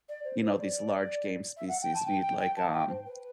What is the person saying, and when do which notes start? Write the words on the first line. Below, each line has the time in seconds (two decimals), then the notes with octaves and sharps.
you know, these large game species need, like, um,
0.08 D5
0.24 C5
0.41 C5
0.57 D5
1.56 E5
1.68 F#5
1.82 G5
1.94 A5
2.06 G5
2.22 G5
2.39 G5
2.56 A5
2.73 G5
2.88 C5
3.05 B4